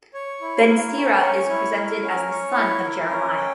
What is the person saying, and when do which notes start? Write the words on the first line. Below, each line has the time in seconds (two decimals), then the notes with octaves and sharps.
Ben Sira is presented as the son of Jeremiah.
0.14 C#5
0.41 E4
0.68 A#4
0.94 C#4
1.21 C#5
1.49 E4
1.75 A#4
2.02 C#4
2.29 C#5
2.56 E4
2.83 A#4
3.10 C#4
3.37 G5